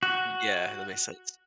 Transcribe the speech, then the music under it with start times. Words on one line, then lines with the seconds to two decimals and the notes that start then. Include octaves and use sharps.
Yeah, that makes sense.
0.03 F#4